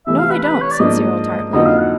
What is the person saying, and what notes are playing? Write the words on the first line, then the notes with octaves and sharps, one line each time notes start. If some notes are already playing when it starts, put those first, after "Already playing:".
No, they don't,' said Cyril tartly.
C3 E3 A3 E5
F5
B4
B4
C#5
D5
G#2 F3 A#3 D4 D#5
F2 D3 F#3 A#3 D#4 D#5
F5
F#5